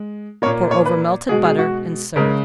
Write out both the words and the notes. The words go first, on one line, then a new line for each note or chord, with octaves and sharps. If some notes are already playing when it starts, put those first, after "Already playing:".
Pour over melted butter and serve.
Already playing: G#3
A#2 A#3 C#5
C#5
B4
B2 G#3 G#4
G#4
F#4
C#3 G#3 A#4